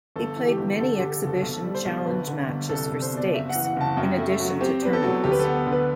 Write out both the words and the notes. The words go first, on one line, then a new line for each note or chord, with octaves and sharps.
He played many exhibition challenge matches for stakes, in addition to tournaments.
G1 A4
E3
G4
G1
D3 A4
D3 G4
A4
F#1
A4
B1 A4
G3
C5
B1
G1 B4
D3
G1
C2 A4
A4
C2
C5
B2 D5
F#1 E5
F#5
E3
F#5
F#1 A5
F#2 G5
A3
E5
F#3
C4 G4
E2 B4
A4
F#3
D2 G4
B4
A4
B3
D3
B4